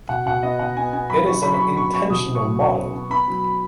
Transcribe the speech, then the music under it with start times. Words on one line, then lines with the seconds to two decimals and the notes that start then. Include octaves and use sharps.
It is an intensional model.
0.09 B2 F#5
0.26 B2 F#5
0.43 B3 D#5
0.59 B2 F#5
0.77 B3 G#5
0.93 B3 G#5
1.09 F#2 B5
1.26 F#2 C#6
1.43 F#3 B5
1.54 B5
1.59 F#3 C#6
1.77 B3 C#6
1.94 F#2 C#6
2.10 B2 D#6
2.27 B2
2.35 C#6
2.43 F#3
2.60 B2 C#6
2.77 B2
2.94 B3
3.10 B3 B5
3.28 F#3